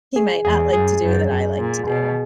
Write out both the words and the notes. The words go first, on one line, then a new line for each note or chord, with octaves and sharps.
he might not like to do, that I like to do.
G#4
E2 G#4
F#2 G#4
F#2
F#2
A#2
B2 G#4